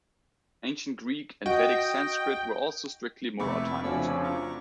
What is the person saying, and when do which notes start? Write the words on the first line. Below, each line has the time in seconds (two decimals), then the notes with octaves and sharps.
Ancient Greek and Vedic Sanskrit were also strictly mora-timed.
1.46 F#4 D#5 G5
3.40 F1 C3 A3 E4 B5 C#6 D6
3.83 C#3 F3 A3 C#4 D4 F#4 D5 E6
4.24 A#5 C#6 D6